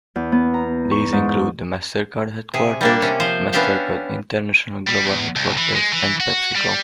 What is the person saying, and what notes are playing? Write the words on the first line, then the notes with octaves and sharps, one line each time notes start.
These include the MasterCard headquarters, MasterCard International Global Headquarters, and PepsiCo.
E2
B3
A#5
C#6
G#2
C3 G#4
G3 A#3 D4
C3 C#4
F3 C5
B3 C#4 D4 E5 F5 G5
G3
E2
C2
E3
G#3
E3
F#4
G3